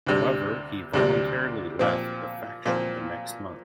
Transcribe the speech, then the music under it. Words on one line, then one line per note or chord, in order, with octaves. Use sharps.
However he voluntary left the faction the next month.
D2 C3 G3 D4
D2 C3 G3 D4
A#2 F3 C4
A#2 F3 C4